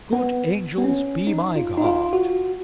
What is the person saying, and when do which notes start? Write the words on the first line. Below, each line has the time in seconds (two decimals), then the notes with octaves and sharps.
Good angels be my guard!
0.13 B3
0.78 B3
0.84 C#4
1.27 D#4
1.56 F4
1.78 D#4
1.84 F4
2.13 F#4